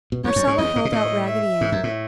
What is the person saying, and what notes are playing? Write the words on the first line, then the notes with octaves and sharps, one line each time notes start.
Marcella held out Raggedy Ann.
B2
E2 C#5
F#2
G#2
E2 D#5
G#2
B2
A2 D#5
E5
G#2
F#2
A2